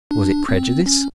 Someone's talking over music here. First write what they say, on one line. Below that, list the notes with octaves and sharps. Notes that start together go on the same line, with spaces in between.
Was it prejudice?
D4
C4
C#4